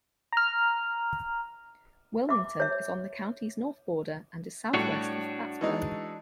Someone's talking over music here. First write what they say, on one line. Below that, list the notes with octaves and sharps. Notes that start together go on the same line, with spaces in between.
Wilmington is on the county's north border and is southwest of Plattsburgh.
A#5 F6
E5 D6
C#5 E5
A2 G3 D4 F#4 C#5
E3 G#3 D#4